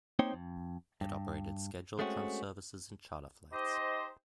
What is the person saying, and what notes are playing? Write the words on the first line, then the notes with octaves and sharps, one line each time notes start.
It operated scheduled trunk services and charter flights.
A#3 C4 D#4 C5 C#5 G5
F2
G2
G#3 A3 C4 C#4 F#4
D#4 G4 C5 D#5